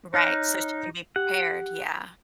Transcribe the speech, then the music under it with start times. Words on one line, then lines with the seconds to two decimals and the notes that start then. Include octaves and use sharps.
Right, so she can be prepared. Yeah.
0.14 D#4 C#5 F6 F#6
1.16 G4 F#5